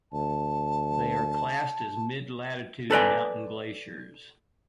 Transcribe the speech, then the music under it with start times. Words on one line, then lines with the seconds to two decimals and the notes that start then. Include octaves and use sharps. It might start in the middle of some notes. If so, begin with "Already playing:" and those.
They are classed as mid-latitude mountain glaciers.
0.13 D2 A5
2.91 A4 B4 D5 G#5